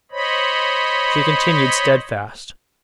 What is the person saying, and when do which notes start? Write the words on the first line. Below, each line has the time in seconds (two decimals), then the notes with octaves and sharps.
She continued steadfast.
0.11 C5 C#5 D#5 B5